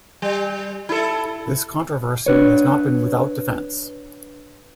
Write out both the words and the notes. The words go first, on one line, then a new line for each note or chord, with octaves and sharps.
This controversy has not been without defense.
G3
E4 A4
D4 B4 C#5